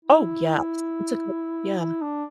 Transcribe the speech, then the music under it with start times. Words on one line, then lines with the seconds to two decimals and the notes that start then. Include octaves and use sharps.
Oh, yeah. S It's okay. Yeah.
0.05 E4
1.79 E4
2.02 D4